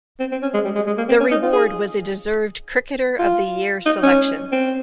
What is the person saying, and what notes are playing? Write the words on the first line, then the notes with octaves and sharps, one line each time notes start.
The reward was a deserved Cricketer Of the Year selection.
C4
C4
C#4
G#3
G3
G#3
G#3
A#3
C4
C#4
D#4
F4
G#4
F4
D#4
C#4
C4